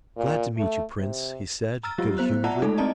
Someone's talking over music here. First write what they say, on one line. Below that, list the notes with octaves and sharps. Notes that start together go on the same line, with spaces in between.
"Glad to meet you, Prince," he said, good humouredly.
A#2
A3
C3
A#5 E6 F6 A6
F#3 G3 F4 G4
B3 C5 F#6
F4 D5 E5 F#5 A5 A#5
G#3 A3 D#4 A4
C4 E4 D5 D#5 A5 A#5